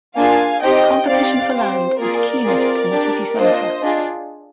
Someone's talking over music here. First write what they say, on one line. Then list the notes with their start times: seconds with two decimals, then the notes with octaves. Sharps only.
Competition for land is keenest in the city centre.
0.16 A#3 D4 F4 G#4 F5 G#5
0.62 C4 D#4 G4 D#5 G5
1.08 C4 D#4 G4 D5 F5
1.54 C4 G4 C5
1.99 A#3 F4 G#4 A#4 D5
2.45 C4 F4 G#4
2.92 D4 G4
3.37 A#3 D4 F4 C5 D#5
3.83 D4 F4 G#4